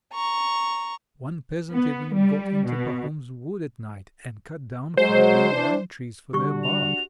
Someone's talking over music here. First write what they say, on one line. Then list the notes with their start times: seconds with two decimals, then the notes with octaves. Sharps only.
One peasant even got into Pahom's wood at night and cut down five young lime trees for their bark.
0.12 A#5 C#6
1.72 B3
2.15 G3
2.66 B2
4.97 F#3 G#3 C5
5.51 E3 D4
6.33 D3 G3 D4 F#4 G4 C#6
6.64 F7